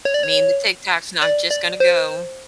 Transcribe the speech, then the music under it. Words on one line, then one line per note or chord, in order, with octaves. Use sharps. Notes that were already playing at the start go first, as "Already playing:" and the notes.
mean the TikTok's not just gonna go.
C#5
D5
C#5
D5
D5
C5